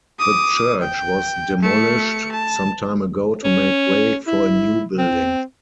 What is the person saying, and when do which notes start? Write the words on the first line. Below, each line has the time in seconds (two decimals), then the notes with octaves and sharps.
The church was demolished some time ago to make way for a new building.
0.19 D6 D#6
0.81 G5
1.62 A3 C#7
2.32 A5
3.44 C#4
4.27 E4
4.98 C4